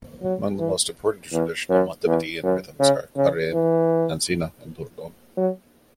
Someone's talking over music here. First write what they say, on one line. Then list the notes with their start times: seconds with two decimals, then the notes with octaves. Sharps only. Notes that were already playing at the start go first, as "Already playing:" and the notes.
Among the most important and traditional Montevidean rhythms are: Cuareim, Ansina and Cordon.
0.22 F#3
0.59 E3
1.32 E2
1.70 F#2
2.06 E2
2.43 F#2
2.80 C#3
3.17 C#3
3.53 E3
5.37 F#3